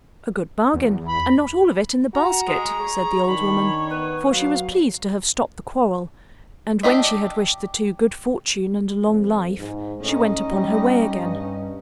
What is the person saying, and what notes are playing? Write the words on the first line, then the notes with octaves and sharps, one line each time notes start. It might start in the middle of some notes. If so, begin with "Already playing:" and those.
"A good bargain, and not all of it in the basket," said the old woman, for she was pleased to have stopped the quarrel, and when she had wished the two good fortune and a long life, she went upon her way again.
E2
B5
F#4 A#5
G#3
G#4 C#5
D#3 D4 B5
B3 B4
F#3 F5
D4 G4 D#5 E5
F2
G#2
A2 C#4 D#4
G3
G2